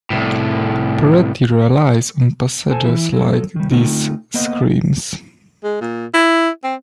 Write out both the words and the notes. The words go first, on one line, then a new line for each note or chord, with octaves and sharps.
Peretti relies on passages like these--Screams!
C2 A2
A4 C5 G#5 A5
E3 F3 E4
F#3 A4
D#3 G3
D3 A3 C4 D#4 F4
A#3 B3 C5 D#5
G#3
A#2
E4
C4